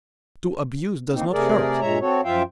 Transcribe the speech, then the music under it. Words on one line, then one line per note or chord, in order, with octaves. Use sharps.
To abuse does not hurt.
A#3 C4 D#4
C3 A3 G#4 A#4 D5
G2 A#2 G#3 C#5 E5 A#5
C4 F#4 A4 C#5
F#2 F3 F4 E5 F5 G5